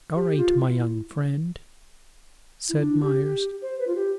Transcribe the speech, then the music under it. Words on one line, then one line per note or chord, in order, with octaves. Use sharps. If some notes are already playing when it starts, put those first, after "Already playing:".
"All right, my young friend," said Myerst.
G4
F4
E4
E4
D4
G4
G4
C5
B4
F4
G4